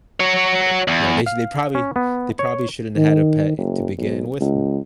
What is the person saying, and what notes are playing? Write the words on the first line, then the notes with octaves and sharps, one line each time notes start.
or, you know, they s they probably they probably shouldn't have had a pet e to begin with m
F#4 C#5
E2
F5
C#4
B3
C#5
D#3
F#1
B1
C#2